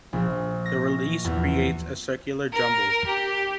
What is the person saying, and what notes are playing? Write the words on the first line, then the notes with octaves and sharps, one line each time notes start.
The release creates a circular jumble.
A#1
A#6
E2
A#4
G4